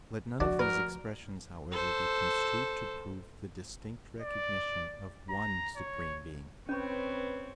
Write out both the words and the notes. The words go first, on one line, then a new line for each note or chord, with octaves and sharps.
Let none of these expressions, however, be construed to prove the distinct recognition of One Supreme Being.
D2 F3 D4 F#4 D5
A#4 B4
A4 C5
D5
A#5
C#5
C4 C#4 B4 C#5 B5 C#6